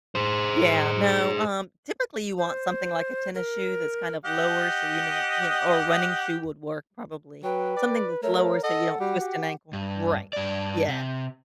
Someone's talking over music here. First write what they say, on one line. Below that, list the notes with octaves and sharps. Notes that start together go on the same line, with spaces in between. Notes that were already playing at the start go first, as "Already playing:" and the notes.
Yeah, no, um, typically you want something like a tennis shoe that's kind of lower, so you don't, you kn or running shoe would work, probably. Something that's lower so you don't twist an ankle Right. Yeah.
G#4 C5
C5
A#4
G4 D#5 F#5
F#3 B4 G5
D5
A3 A#4 C#5
A4 D#5 F#5
G3 F#4
G4
G2
G2 D5
C3